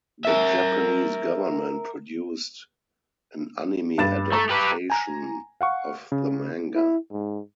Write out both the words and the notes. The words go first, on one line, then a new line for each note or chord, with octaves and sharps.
The Japanese government produced an anime adaption of the manga.
A#4 E5
G2 A6 E7
A3 A#5 C#6
G4 B4
G#5 A#5
F5 F#5 C#6
C#3
E4
G#2